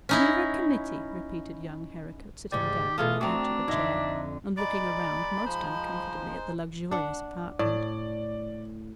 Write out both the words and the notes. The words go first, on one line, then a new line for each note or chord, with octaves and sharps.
"We're a committee," repeated young Herricote, sitting down on the edge of a chair, and looking around most uncomfortably at the luxurious apartment.
C#4 D#4 E4
D2 G#2 C#3 G4 D5
B2 A3 F4 G#4 A4 D#6
A3 C4 D4 F#4 A#5
F2 D3 D#4 D#5 E5
G#3 D#4 D5 B5
F3 C5
D4 F#5
A2 D5